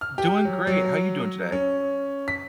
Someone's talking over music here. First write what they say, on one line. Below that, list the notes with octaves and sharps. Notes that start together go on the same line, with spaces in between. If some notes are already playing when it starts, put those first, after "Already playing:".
Doing great. How you doing today?
F6
G4
F#3
F#3
C#4
B6